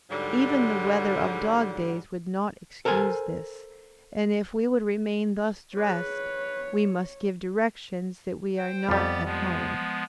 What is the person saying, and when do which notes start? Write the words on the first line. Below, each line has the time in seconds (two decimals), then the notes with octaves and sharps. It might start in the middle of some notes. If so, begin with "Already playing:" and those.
Even the weather of dog-days would not excuse this; and if we would remain thus dressed, we must give directions that we are not at home.
0.10 G#2 D3 F#3 G3
2.85 A4 A#4 C5 G5 G#5
5.77 G#4 B4 C#5
8.57 C5 G5
8.89 F2 G3 B3 G4 A6
9.24 F3 G#3 B3